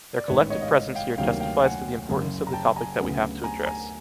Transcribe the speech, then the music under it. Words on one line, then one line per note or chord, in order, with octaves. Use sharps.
Their collective presence here testifies to the importance of the topic that we have to address.
D5
A1 G#2 D#3 B4 C#5
C#5 D#5
D#5 F5
F5 G5
D2 C3 D#3 F#3 A#3 F5 G5
F5 G5
F#5 G#5
F#1 F#2 C#3
A#5
G5 A5
G#5 A#5
D2 C#3 F#3 B3
G#5 A#5
G#5 A#5